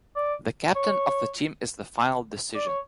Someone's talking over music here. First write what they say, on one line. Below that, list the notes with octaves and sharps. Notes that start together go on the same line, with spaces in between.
The captain of the team is the final decision.
D5
C#5
D5
C#5